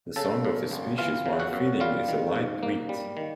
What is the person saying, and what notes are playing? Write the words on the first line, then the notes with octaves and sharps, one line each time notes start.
The song of this species while feeding is a light "weet".
C#3 A4 A5
F#2
G1
E3 F4 F5
C#3
F#4 F#5
F#2
G3 F4 F5
D#3
G#2
A#3
G3
D#3